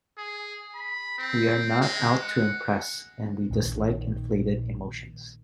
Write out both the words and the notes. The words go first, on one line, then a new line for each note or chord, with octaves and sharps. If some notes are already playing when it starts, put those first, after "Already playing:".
We are not out to impress, and we dislike inflated emotions.
G#4
B5
C4
G#3
F#5
A#1 A#2 D3 D#3